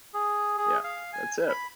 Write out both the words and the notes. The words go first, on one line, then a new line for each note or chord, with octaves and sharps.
Yeah, that's it.
G#4
G#4
F5
G#5
B5